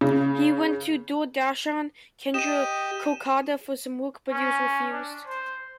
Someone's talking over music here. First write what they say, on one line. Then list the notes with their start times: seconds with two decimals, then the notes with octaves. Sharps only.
He went to Doordarshan Kendra Kolkata for some work, but he was refused.
0.01 C#3
2.34 G4 D#5 D#7 E7
4.31 C#4
4.92 D4
5.27 C5